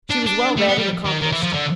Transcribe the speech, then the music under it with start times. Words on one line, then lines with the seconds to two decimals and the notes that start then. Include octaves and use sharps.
She was well read and accomplished.
0.10 D4
0.26 D4
0.58 A3
0.68 B3
0.79 G3
1.05 D#3
1.22 D#3
1.32 E3
1.43 F3
1.53 D3